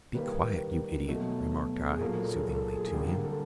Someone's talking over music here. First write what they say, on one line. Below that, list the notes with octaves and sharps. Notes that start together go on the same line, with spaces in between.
"Be quiet, yoo idiot!" remarked I, soothingly, to him.
D#3 G3 A#3 B4
B2 F#3 A3
G#4
A#2 F#3 A#3 A4
A4
G#4
A4
G#4
G#4
D3 G3 A#3 G4
A4